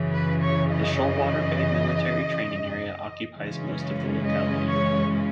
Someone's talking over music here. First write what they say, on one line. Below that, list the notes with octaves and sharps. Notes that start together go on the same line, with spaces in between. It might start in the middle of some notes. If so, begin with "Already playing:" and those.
The Shoalwater Bay Military Training Area occupies most of the locality.
Already playing: F#2 C#3 E3
B4
C#5
D#5
F#2 C#3 E3 G#3 C#4
D#5
C#5